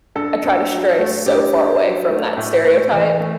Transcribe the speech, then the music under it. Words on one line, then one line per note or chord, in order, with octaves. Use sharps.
I try to stray so far away from that stereotype
G2 A4
G2
F#3
A3
G2 G4
G2
F#3
A3
A2
A2
E3
A3